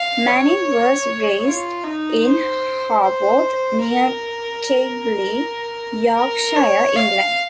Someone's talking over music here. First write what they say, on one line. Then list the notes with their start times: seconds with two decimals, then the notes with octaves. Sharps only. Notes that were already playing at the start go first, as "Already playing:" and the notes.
Manning was raised in Haworth, near Keighley, Yorkshire, England.
Already playing: F5
0.27 C#5
1.45 F4
1.84 D#4
2.24 C5
3.03 C5
3.81 A#4
6.17 A#4
6.56 C#5
6.96 F5